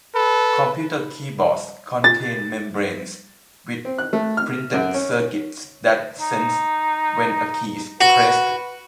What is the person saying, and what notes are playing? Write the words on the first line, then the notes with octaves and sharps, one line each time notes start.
Computer keyboards contain membranes with printed circuits that sense when a key is pressed.
A4 B4
A6
C4
F#6
A3
F6
F#2
C#4
D#4
F#4 B4